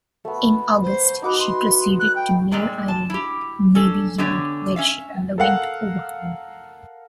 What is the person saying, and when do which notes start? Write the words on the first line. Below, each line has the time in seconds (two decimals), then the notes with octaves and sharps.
In August, she proceeded to Mare Island Navy Yard where she underwent overhaul.
0.25 A3 B3
0.83 C5
1.22 D#4 F#4 B4 D6
1.39 C6
1.99 F#6
2.15 G5
2.51 A#2 G3 G#3 A#5
2.88 A5
3.10 E4 G4
3.75 C#4 D4 A4
4.18 D3 A3 B3 C#4 G4 C#5
4.76 C#4 E5 F5
5.38 A4 A#4 F5 F#5